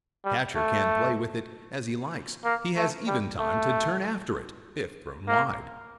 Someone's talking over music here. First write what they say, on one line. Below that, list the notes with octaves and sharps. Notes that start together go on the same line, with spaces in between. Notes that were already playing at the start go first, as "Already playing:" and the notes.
The catcher can play with it as he likes; he has even time to turn after it, if thrown wide.
G3
A3
A#3
A3
G3
A3
A#3